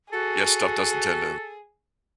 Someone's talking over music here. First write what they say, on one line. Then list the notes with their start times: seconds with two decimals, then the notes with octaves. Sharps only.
yeah, stuff doesn't tend to
0.13 F#4 G#4 A4